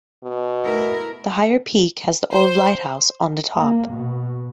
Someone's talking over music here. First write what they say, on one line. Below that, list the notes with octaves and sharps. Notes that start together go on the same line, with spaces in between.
The higher peak has the old lighthouse on the top.
B2
A3 E4 A#4
C5
A#3
B2